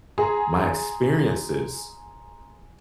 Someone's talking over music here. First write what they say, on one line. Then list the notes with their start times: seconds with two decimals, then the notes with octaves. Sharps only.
my experiences
0.18 G#4 A#5 C6